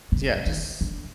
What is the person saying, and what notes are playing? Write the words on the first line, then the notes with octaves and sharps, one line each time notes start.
'Cause, yeah, just
C#3
D#3
D3